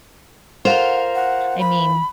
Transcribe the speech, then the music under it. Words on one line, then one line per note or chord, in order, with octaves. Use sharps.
I mean,
F4 A#4 C5 F#5
F#5
B5